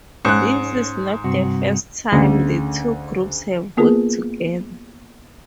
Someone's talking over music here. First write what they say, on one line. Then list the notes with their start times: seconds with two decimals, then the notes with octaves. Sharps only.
This is not the first time the two groups have worked together.
0.25 G#2 C#4 F#6
1.24 G2 C3 F#4
2.12 D2 C#3
3.77 A#3 B3 F4 G#4 A#4 B4